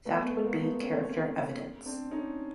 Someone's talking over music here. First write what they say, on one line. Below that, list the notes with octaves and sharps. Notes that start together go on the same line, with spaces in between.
That would be character evidence.
A3 B3
A3 B3
G#3 A#3
A3 B3
C#4
C4
B3 C#4
C4 D4
C#4 D#4